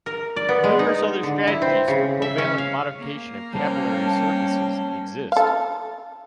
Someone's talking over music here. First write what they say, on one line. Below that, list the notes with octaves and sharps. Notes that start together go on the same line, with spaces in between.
Numerous other strategies for covalent modification of capillary surfaces exist.
A#4
D5
B3
G#3
D#4
D3
E4
C4
C#3
E5
C#4
F5
A#3
G3 C#4 C5 G5 A5
A4 F5